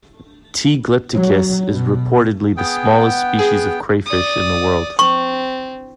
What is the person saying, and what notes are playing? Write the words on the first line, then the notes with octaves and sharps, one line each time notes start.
"T. glypticus" is reportedly the smallest species of crayfish in the world.
F#3
B2
B3 G#4 G5
F#5
G#4
D5 D#6
C4 C#6